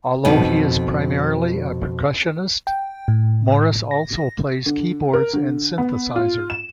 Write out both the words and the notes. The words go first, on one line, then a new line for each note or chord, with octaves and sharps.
Although he is primarily a percussionist, Morris also plays keyboards and synthesizer.
F2 B2 D#4
G5
A2
A#6
D3
A#4
D3
B3
F4
E7